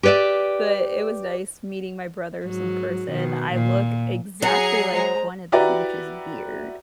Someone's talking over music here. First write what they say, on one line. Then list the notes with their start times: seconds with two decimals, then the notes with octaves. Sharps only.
but it was nice meeting my brothers in person. I look exactly like one of them, which is weird.
0.03 G4 B4 C#5 D5 E5
2.45 G#2 F#3
3.10 B2 D#3
3.53 A#2
4.42 F#3 G#4 A#5 C7 C#7
4.93 G#3 C5 A#5
5.52 E4 F#4 G4 B4 D5 A#5